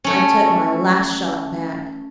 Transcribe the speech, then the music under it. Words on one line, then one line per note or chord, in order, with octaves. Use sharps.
I took my "Last Shot" back.
A3 C#4